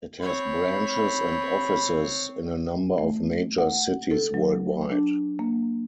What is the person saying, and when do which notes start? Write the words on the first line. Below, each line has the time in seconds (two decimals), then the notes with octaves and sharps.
It has branches and offices in a number of major cities worldwide.
0.22 C4 C#5 B5
2.98 A3
3.58 F#5
4.11 A4
4.34 F#3
4.92 D4
5.39 A#3